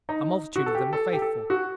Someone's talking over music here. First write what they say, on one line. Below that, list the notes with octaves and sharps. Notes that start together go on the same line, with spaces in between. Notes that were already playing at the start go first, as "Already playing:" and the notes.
A multitude of them were faithful.
D#4
F#4
A4
G4
A4
G4
A4
F#4